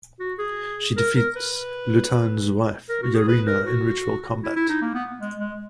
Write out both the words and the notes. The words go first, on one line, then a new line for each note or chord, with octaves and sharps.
She defeats Lutan's wife Yareena in ritual combat.
F#4
G#4
A#4
A#4
B4
A#4
F#4
G#4
B4
A#4
F#4
E4
E4
D#4
A#3
B3
G#3
G#3